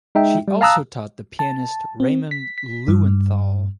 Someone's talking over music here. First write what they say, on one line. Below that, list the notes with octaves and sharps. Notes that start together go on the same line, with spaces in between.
She also taught the pianist Raymond Lewenthal.
G#3 D#4 E5 G5
G3
F5 A5 A#5 D#6 E6 F#6
A5
C4
B6
B6
G2